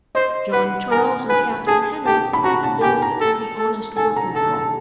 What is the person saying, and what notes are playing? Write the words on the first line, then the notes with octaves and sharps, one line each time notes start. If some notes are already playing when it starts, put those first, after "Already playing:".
John Charles and Katharine Henry played the villain and the honest working girl.
C5 D#5
B4 F#5
A#4 G#5
B4 G#5
G#4 A5
G4 A5
B5
F#4 A#5
A5
G4 G#5
A#5
A4
A4
A4 G#5
A#5
A4 A5
A5